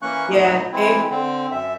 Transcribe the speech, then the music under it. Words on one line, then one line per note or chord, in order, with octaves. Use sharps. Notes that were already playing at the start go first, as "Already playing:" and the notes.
Yeah. It
E3 A#3 C#4 C#6 F#6
A3 B3 D#4
E3 G#3 C4 E4
D3 C4
F#2 E5